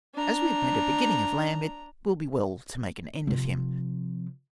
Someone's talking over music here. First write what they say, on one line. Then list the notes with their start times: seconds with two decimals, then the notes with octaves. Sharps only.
As we have made a beginning of Lamb, it will be well to make an end of him.
0.15 D4 A#5
3.27 C3 F3